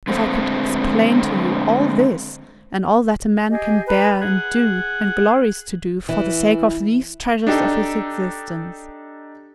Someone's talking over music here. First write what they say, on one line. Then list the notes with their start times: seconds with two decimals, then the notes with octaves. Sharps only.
If I could explain to you all this, and all that a man can bear and do, and glories to do, for the sake of these treasures of his existence!
0.08 D3 G#3 A3 C4 A4 C5
3.50 G4 G#4 D#5
3.87 B4 A#5
4.21 G#4 F#5
6.09 E3
7.47 D4 D#4 G4 A4